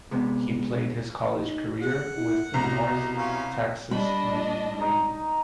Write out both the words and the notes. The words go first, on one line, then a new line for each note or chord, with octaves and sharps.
He played his college career with the North Texas Mean Green.
C3 G#3 B3
D#4
G#4 F#5
E4
C2 B2 A#5
C#4 F4 B4
G3 D4 D#5 B5
D#4